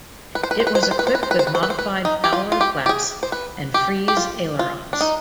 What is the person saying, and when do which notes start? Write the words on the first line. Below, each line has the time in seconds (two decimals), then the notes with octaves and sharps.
It was equipped with modified Fowler flaps and Frise ailerons.
0.35 B4
0.43 C5
0.51 B4
0.60 C5
0.67 B4
0.75 C5
0.83 B4
0.91 C5
0.99 B4
1.07 C5
1.15 B4
1.23 C5
1.31 B4
1.39 C5
1.47 B4
1.55 C5
1.63 B4
1.70 C5
1.79 B4
2.05 D#4
2.24 G4
2.33 F4
2.52 F4
2.61 G4
2.86 G4
2.89 G#4
3.23 C5
3.32 B4
3.74 G4
4.08 G4
4.17 F4
4.59 F4
4.93 D4
5.01 D#4